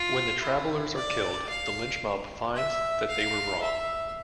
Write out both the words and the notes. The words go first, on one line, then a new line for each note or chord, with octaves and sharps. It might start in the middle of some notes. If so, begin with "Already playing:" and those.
When the travelers are killed, the lynch mob finds that they were wrong.
Already playing: F4
E4
D5
F5
E5
F5
E5